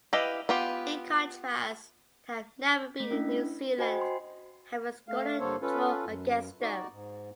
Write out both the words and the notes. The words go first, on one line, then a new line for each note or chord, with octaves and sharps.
In contrast, they have never beaten New Zealand, having scored a draw against them.
E4 G4 B4 D#5 F5
B3 F4 G4
A3 B6
C#4 D4 E4
B4
F#4 C5 D#5 G5 G#5 B5
C6
A3 F5
G2 D3 A#3 A4 C5 C#5
C#4 F4 A4 B4
F#2
D#4 F#4 D5
G#2